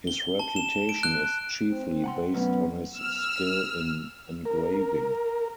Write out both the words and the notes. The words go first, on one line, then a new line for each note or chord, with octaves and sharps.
His reputation is chiefly based on his skill in engraving.
G7
A5
E7
D7
F#6
C4
F#5 A5 C6
F#3 A3 B3 C#4
E6 F6
A#4